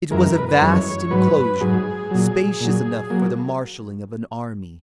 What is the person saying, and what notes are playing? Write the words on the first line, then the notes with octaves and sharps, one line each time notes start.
It was a vast enclosure, spacious enough for the marshalling of an army.
F#2 E3 G#3 A#4
B4
B4
F#2 E3 G#3 C#5
G#2 F#3 B4
G#2 F#3 G#4
A#2 F#3
A#2 F#3
F#3 A#3